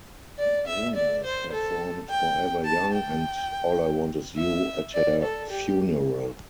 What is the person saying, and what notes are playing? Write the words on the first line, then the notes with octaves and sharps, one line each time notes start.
Bono performed "Forever Young" and "All I Want Is You" at her funeral.
D5
E5
D5
C5
A4
G5
A5
G5
E5
D5
A4
G4